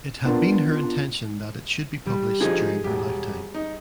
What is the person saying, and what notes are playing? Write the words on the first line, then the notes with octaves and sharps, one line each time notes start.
It had been her intention that it should be published during her lifetime.
B3 D4 F4 A#4
G3
D3 F3 D#4 G#4
E1 G4
D#4